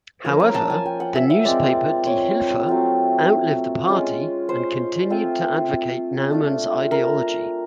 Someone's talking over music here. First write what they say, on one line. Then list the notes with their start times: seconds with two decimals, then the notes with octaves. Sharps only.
However, the newspaper "Die Hilfe" outlived the party and continued to advocate Naumann's ideology.
0.24 F3 A#3 C#4 F4 A#5
0.40 A#5
0.55 A5
0.70 G#5
0.86 G5
1.00 F#5
1.15 E5
1.30 E5
1.45 G#3 C4 F4 D5
2.07 C#5
2.67 F#3 A3 C4 F4
3.88 G#3 C#4 F4
4.49 C5
5.10 A3 C4 F4
6.31 A3 D4 F4
6.91 A#4